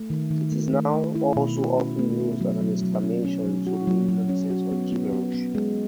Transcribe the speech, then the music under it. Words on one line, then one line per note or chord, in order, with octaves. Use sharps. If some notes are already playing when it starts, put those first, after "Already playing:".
It is now also often used as an exclamation to mean nonsense or gibberish.
Already playing: A3
D#3
D#3
A3
A3
A3
E4
B2
F#4
C#4
A3
B3
F#3
F#3
F#3
C#4
C#4
F#3
F#4
F#3
F#3
C#4
F#4
B3
B3
B3
B3
G#3